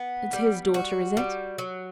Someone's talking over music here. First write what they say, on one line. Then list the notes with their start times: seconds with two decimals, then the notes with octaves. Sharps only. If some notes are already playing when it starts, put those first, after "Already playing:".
It's HIS daughter, is it?'
Already playing: B3
0.33 G3
0.74 F#4
1.17 G3
1.58 F#3